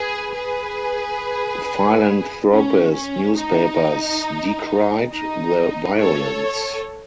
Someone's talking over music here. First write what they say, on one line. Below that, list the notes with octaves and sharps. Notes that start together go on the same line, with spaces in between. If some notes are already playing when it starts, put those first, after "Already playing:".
Philanthropist newspapers decried the violence.
Already playing: G#4 B4
G#4 B4
C#4
C#4
D#4
D#4
A4 C#5